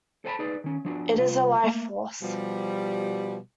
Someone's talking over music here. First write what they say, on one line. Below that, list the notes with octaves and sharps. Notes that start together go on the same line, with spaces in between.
It is a life force.
A4 C5 D5 G#5 A5 B5
D#4 G#4 B4 D5
D#3 C#4
F3 D4 F#4
C2 F4 F5
A3 A#3
B2 F3 G3